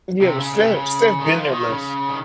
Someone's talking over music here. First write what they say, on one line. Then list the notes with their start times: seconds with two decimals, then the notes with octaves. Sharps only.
Yeah, but Steph Steph been there less.
0.21 C3
0.38 C#3
0.54 C#3
0.64 C3
0.74 C#3
1.20 D#3
1.36 F3
1.52 D#3
1.69 C#3
2.09 D#3